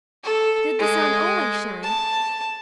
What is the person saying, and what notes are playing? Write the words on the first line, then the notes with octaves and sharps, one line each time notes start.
Did the sun always shine?
A4
G#3
A5